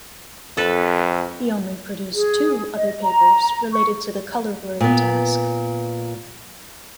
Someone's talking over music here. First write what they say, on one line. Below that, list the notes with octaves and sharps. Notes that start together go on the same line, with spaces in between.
He only produced two other papers related to the color-word task.
F2 A4 B4
G#4
D#5
A#5
C#6
A#2 B3